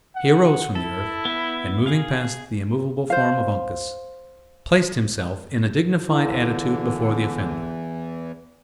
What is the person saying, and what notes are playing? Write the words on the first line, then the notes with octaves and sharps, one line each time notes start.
He arose from the earth, and moving past the immovable form of Uncas, placed himself in a dignified attitude before the offender.
F#5
E4 A4
B3 E5
G#4 F5 F6
C5 F5
E2 D3 E3 E4 F5